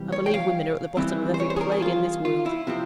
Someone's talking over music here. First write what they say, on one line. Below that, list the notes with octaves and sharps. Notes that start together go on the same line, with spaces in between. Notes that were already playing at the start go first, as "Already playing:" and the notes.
I believe women are at the bottom of every plague in this world.
Already playing: C3 E3 G3
C#5
G5
F5
C#3 E3 G3 C4 E4
C5
C#5
C5
G#4
A#4
G#4
F4
F4
E4
C3 F3 C4